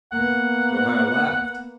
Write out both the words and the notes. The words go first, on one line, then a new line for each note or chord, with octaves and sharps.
But Ohio laughed.
A#3 B3 F#5